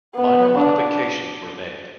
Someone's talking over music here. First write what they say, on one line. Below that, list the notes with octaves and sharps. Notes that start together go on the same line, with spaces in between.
Minor modifications were made.
B3
D4